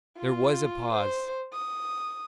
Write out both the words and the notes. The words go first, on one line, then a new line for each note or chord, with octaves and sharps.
There was a pause.
F4
C5
D#6